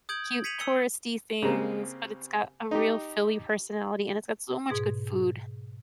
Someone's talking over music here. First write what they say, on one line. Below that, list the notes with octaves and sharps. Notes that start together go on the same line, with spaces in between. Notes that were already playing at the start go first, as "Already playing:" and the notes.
cute touristy things, but it's got a real Philly personality and it's got so much good food
D#6 G6 G#6 D7 F#7
G#6 B6 C#7 D#7 F7 F#7
E6 C#7 G7
C#3 G3 A#3 C4
D#4 G4
G#2 B2 G#4